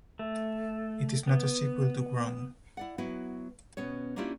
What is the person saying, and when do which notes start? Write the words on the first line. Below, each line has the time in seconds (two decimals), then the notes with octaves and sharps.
It is not a sequel to "Wrong".
0.19 A3
1.27 B3
2.77 E4 D5 F#5
2.98 F#3 B3 E4 F#4
3.77 B2 B3 C#4 C#5
4.16 A#3 C#4 D4 E4 F4 G4